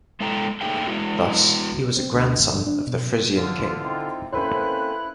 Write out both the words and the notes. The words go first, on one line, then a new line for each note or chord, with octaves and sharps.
Thus, he was a grandson of the Frisian king.
G#3 E4 A4 G5 A#5
A3 A#3 D#4 G#4 F5 G5
G#3 E4 F#4
C4
D2
G#1
G2
D4
B2
F#2 B2 D3 E3 F4
C4 D#4 E4
A#3 C4 C#4 E4 A4 B4 C5 F#6